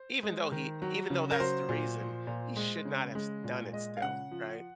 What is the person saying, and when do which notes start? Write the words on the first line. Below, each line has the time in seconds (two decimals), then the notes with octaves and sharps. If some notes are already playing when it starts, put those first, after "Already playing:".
Even though he even though that's the reason he should not have s done it still, right?
Already playing: C5
0.23 G#3
0.52 D#3
0.82 F#3
1.10 C#3
1.31 A#4
1.40 F#3 C5
1.69 A#2
1.99 F3
2.27 A#2
2.56 G#3
2.85 C#3
3.15 G#3
3.44 A#2
3.73 G#3 D#5
3.97 F5
4.02 C#3 F#5
4.31 F3